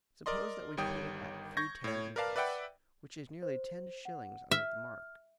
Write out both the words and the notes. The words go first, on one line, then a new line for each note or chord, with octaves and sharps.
Suppose that we put it at three ten an ounce, which is nearly ten shillings under the mark.
A#4 D5 D#5 C6
G1 D#3 G3 C#5 G5 D#6
C#6 G6 G#6 A#6
A2 C#5
A#4 B4 D5 F5 A5
B4 D5 E5 F#5 G5 B5
C5
F#5
E5 F6